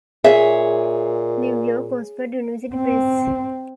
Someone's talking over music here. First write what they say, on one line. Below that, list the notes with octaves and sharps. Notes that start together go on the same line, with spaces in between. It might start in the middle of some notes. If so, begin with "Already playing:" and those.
New York: Oxford University Press.
A#2 G#4 C#5 E5
C4